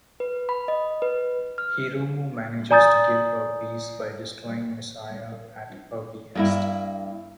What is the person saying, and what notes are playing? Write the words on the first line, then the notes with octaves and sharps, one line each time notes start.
Hiromu manages to give her peace by destroying Messiah at her behest.
B4
B5
D#5
B4
F6
D5 G#5 A#5 D#6 G6 A6
G2 A#3 E4